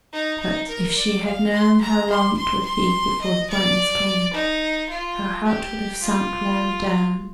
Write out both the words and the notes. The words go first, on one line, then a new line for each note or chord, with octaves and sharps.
But if she had known how long it would be before the brightness came, her heart would have sunk low down.
D#4
D#4
A#4
D5
F5
C6
A#5
C6
C6
C6
D#5
D5
D#4
F4
G4
F4